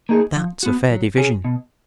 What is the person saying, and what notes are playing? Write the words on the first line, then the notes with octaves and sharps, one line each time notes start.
That's a fair division.
A#3 D#4 G#4
F3
B3 F#4
F#3
C#4 G#4
B2